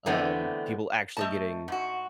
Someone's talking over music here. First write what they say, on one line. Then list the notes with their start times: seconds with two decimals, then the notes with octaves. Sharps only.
um, people actually getting
0.06 D3 E3 G#3 A3 B3 C4
1.17 A3 D#5 A5
1.68 G#2 F#4